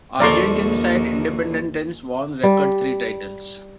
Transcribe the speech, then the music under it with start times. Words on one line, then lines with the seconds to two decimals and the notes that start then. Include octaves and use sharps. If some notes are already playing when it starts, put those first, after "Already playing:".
Argentine side Independiente won a record three titles.
0.20 A#1 D#2 A4 D5 A#5 C6 C#6
2.43 G3